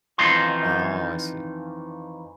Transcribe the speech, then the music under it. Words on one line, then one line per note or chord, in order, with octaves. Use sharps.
Oh, I see.
F2 D#3 E3 D#4 F4 C6